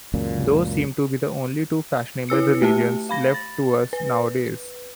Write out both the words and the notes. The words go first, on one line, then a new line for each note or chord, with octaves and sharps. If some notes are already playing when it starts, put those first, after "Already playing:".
Those seem to be the only two fashionable religions left to us nowadays.
C#2 F#2 A#2
E4 B4 E6 C#7
A3 G4 A5
F5 B5 A#6
A6
B4